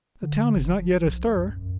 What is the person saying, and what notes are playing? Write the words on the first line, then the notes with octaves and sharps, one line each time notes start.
"The town is not yet astir."
D3
F#1
F3
B1
F#2
F#2